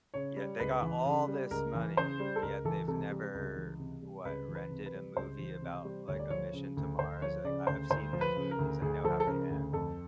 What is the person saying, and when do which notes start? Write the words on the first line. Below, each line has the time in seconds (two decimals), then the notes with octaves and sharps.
Yeah, they got all this money, yet they've never, what, rented a movie about, like, a mission to Mars? Like, I I've seen these movies, I know how they end.
0.14 C#3 C#5
0.36 G3
0.60 C#2 B4
0.82 E3
1.05 C#3
1.28 G3
1.51 C#2 A#4
1.75 E3
1.97 C#3 C5
2.20 G3
2.36 A4
2.43 C#2 A#4
2.65 E3 A4
2.88 C3 A4
3.12 G3
3.34 C#2
3.56 E3
3.79 C3
4.02 G3
4.25 C#2 B4
4.48 E3
4.55 B4
4.71 C3
4.86 B4
4.94 G3
5.16 C#2 C5
5.39 E3
5.62 C3
5.85 G3
6.08 D2 C#5
6.19 D5
6.30 F3 C#5
6.53 C#3
6.77 D2
6.99 D2 C5
7.22 F3 C#5
7.44 C#3 D5
7.67 D2 C5
7.90 D2 C5
8.13 F3
8.21 B4
8.36 C#3
8.51 A#4
8.59 D2
8.82 D2 G#4
9.04 F3 A4
9.20 A4
9.27 C#3 A#4
9.50 D2
9.73 F2 A4